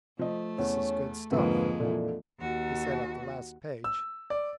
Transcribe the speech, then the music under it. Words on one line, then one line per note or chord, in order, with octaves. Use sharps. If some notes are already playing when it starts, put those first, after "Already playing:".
"This is good stuff," he said at the last page.
F3 A3 D#5
E2 C#4
F2 G#2 D3 G#3 A#3 D#4 B4
A#2 D3 E3
D#2 F#4
E6
D5